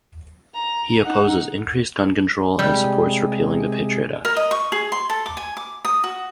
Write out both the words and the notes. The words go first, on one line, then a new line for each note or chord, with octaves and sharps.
He opposes increased gun control and supports repealing the Patriot Act.
A#5
D#4 F#5
C3 G3 G#3
A#4
D#5
C#6
G#4
C6
A4
D6
G#5
D6
D#6
F#4